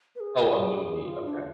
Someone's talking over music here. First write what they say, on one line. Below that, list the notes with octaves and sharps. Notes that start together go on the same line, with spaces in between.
Oh, a movie, okay.
B4
G#4
F4
D4